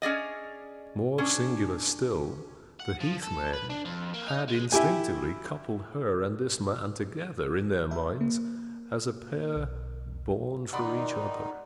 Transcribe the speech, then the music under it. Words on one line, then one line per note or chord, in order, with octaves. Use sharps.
More singular still, the heathmen had instinctively coupled her and this man together in their minds as a pair born for each other.
C#4 G#4 D5 D#5
C#4 D4
F#5
F3
A4
B4
D4
F2
A#3
D#4
G#3
E4 G4 G#5
E5
A#3
B1
D#3 D#4 D5 F#5 B5 C6